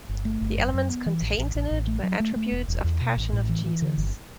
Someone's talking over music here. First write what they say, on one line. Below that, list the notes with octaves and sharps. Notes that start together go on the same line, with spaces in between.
The elements contained in it were attributes of Passion of Jesus.
G1
A3
G1
F#2
F#2
B3
E3
A1
A1
A1
A1
A3
F#3
A3
A3
E1
E1
E2
B2
A1
A2
E3
E3
D3
G1